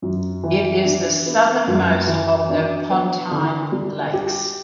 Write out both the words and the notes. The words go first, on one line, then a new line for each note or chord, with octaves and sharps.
It is the southernmost of the Pontine lakes.
F#2
E3
D4
B3
F#2
E3
D4
B3
D3
G3
G4